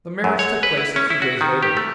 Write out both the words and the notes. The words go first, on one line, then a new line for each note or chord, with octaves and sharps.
The marriage took place a few days later.
F#2
C#5
B4
E4
C#4
E4
F#4
D#3
G4
A3